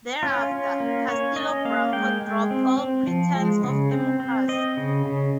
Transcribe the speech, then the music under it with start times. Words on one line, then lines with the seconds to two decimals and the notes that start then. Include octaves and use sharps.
Thereafter, Castelo Branco dropped all pretense of democracy.
0.23 C#4 F4
0.52 C#4
0.80 A#3
1.08 C#4 C#5
1.36 C#4 D#5
1.65 A#3 F5
1.93 G#3 G5
2.22 G#3
2.51 C4
2.78 C4
3.07 F3
3.35 G#3
3.63 C#3
3.91 C4
4.20 C4
4.48 C4 D#5
4.77 C#3
5.06 C#3